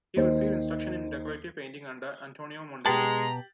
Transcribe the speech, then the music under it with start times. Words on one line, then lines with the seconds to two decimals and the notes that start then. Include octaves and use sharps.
He received instruction in decorative painting under Antonio Mondelli.
0.16 D#2 D#3 C5
2.86 B2 G#3 G4 B4 A5 A#5 A6 F#7